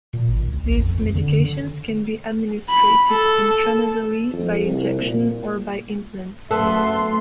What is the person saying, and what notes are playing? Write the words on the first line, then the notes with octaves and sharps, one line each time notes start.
These medications can be administered intranasally, by injection, or by implant.
A#2
G#1
C#2
A1
F2
F2
D3
D3
B5
A4
F2
C2
A#2
F#2 A3 B3 A4 E5 C6